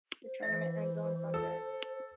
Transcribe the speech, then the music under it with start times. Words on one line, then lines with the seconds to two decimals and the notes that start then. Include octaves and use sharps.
The tournament ends on Sunday.
0.24 C5
0.43 E3 E5
1.34 A4